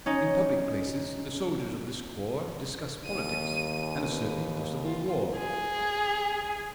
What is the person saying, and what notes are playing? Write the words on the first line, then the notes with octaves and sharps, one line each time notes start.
In public places the soldiers of this corps discuss politics and a certain possible war.
C#4 D#4
D#2 D#7
B4
F4
G#4